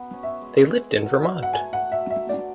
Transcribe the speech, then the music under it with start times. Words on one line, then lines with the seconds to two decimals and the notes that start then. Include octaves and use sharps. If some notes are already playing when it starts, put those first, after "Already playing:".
They lived in Vermont.
Already playing: F#2 F#3 B3
0.13 C#4
0.23 E5
0.41 G#3
0.70 G#4
0.98 F#3
1.26 E4
1.43 F#5
1.53 A3 G#5
1.73 F#5
1.82 F#3
1.92 E5
2.10 D3 E5
2.29 D5
2.38 B3